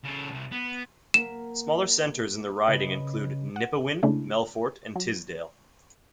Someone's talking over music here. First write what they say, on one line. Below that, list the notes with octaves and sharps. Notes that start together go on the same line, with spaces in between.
Smaller centres in the riding include Nipawin, Melfort, and Tisdale.
C#3 A4
C2
B3
A#3 F#5 B6 E7
C#3 B4 D#5
F#5
C#3 G#3 A3 D4 E4
F#3